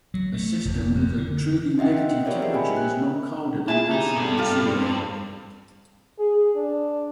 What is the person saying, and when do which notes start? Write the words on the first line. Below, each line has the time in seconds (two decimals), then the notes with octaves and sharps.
A system with a truly negative temperature is not colder than absolute zero.
0.14 F#3
0.34 A3
0.65 F1
0.95 F2
1.18 D3
1.78 F#4 D#5 E5 F#5 G5
1.92 D#5 F#5 G5
2.25 F4 G4 A#4 C#5 D5 E5
2.42 G#4 A#4 C5 D#5 E5
2.54 G4 G5 G#5 B5
2.77 F#6
3.68 E4 F4 G#4 A5
3.91 D#4 G4
4.16 G2 A4
4.37 F4 G4
4.64 C4
6.19 G#4
6.56 D4